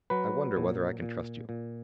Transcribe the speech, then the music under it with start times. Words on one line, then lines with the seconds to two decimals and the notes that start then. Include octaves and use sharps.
I wonder whether I can trust you?
0.10 F#3 B4
0.57 A#2
1.02 A#2
1.49 A#2